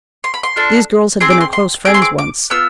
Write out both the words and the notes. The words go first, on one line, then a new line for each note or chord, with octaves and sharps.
These girls had been her close friends once.
C6
B5
C6
D4 F4 A4
C4 G#4 C6
D6
C6
C6
C4 G#4 D6
C6
D6
D6
B3 F4 E6